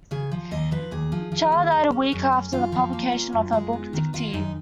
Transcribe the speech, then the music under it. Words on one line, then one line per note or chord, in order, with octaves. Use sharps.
Cha died a week after the publication of her book Dictee.
C#3 G#4
F3
D#2 D#5
F3 B4
D#2 G#4
F3
F3
D#2
F#2
C#4
F#2
C#4
F#2 F4
F3
A#3
C#4
F#2
G#3
B3
D#3
D#3 F4
F#2 D#4